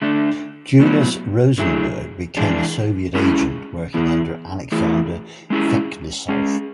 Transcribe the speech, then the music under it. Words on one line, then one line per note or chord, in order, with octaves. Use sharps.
Julius Rosenberg became a Soviet agent working under Alexander Feklissov.
D3 A3 D4
A2 F#3 B3
D3 F#3 A3 E4 G#4
E3 G#3 D4 G#4
G#3 C#4 E4 G#4
E3 B3 E4 G#4
E3 A3 E4 G#4
G#3 C#4 E4 G#4
G#3 C#4 G#4